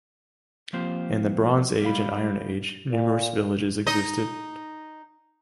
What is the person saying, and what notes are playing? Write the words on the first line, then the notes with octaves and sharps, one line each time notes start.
In the Bronze Age and Iron Age, numerous villages existed.
F3 A#3 C4 F4 G4 C5
G3 G#3 F5 B5
A#2
D#4 D#5